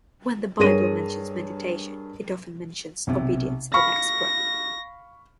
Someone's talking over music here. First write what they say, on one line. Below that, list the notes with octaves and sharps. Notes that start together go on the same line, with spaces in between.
When the Bible mentions meditation, it often mentions obedience in the next breath.
G2 G#4 A#4 C#5 A#6 D#7
B1 C3
F5 B5 C#6 F6 A#6